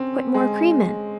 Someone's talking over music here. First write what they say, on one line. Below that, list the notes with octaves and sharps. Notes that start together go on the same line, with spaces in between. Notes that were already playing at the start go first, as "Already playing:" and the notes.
Put more cream in.
Already playing: C4 C#4
G#3